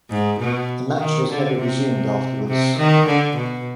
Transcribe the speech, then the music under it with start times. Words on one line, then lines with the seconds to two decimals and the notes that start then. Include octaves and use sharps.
The match was never resumed afterwards.
0.10 G#2
0.40 B2
0.99 D#3
1.29 D3
1.58 C3
2.48 C3
2.78 D#3
3.07 D3
3.37 B2